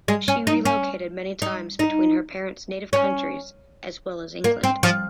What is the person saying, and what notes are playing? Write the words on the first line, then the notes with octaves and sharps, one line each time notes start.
She relocated many times between her parents' native countries as well as England.
G#3
C#4
D#4
C#4
D#4
D#4
C#4
A#3
C4
F3